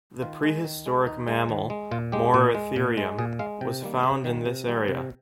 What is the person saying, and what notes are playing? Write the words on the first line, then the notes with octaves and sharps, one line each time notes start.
The prehistoric mammal "Moeritherium" was found in this area.
D#3 F4
G#3
D#3
G#3
D#3 D#4
G#3
D#3
G#3
A#2 F4
G#3 G4
A#2
G#3
A#2
G#3
A#2 G#4
G#3 F5
C3 G5
D#3 G3 A#3
C3
D#3 G3 A#3
C3
D#3 G3 A#3
C3